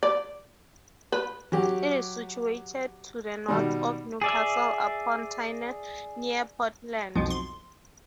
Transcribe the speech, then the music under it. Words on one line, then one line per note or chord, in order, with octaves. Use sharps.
It is situated to the north of Newcastle upon Tyne, near Ponteland.
D5
B4
F#3 G4
B2 D#3 G3
G#4 D5 E5
B1 F2 B2 F3
C6